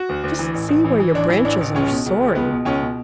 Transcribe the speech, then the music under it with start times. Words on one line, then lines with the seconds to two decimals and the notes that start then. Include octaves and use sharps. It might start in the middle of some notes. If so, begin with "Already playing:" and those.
Just see where your branches are soaring.
Already playing: F#4
0.09 D2
0.24 D2
0.39 E3
0.54 A1
0.69 A1
0.84 E3
1.00 E3
1.14 A1 D4
1.29 E3
1.45 A1 D4
1.61 A1
1.75 C#2 C#4
1.90 B2
2.06 C#2
2.20 C#2
2.35 C#2 B3
2.51 B2
2.65 C#2 C#4
2.81 B2